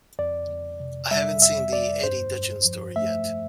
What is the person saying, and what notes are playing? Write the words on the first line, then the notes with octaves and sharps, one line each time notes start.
I haven't seen "The Eddy Duchin Story" yet!
F2 D5
F2
C3
G3 E5
F2 E5
F2 D5
G2 C5
G2
F3
A3 E5